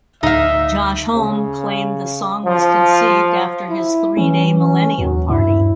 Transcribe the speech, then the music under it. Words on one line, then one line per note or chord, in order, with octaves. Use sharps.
Josh Homme claimed the song was conceived after his three-day Millennium party.
D2 D#4 E5 F5
C#3
F3
E4
E3 C#4
C#4
D#2 F#3
G2 E4